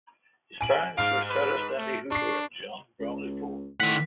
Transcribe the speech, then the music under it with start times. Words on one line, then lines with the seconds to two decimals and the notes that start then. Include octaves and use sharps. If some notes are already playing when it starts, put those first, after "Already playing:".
His parents were Sarah Stanley Hooper and John Bromley Foord.
0.61 G#5 D7 F#7
0.98 G#2 F5 F6 D7
1.30 B4
1.78 A3
2.11 D4 C#6 C7
3.00 C#2
3.80 A2 D#3 F#5 B6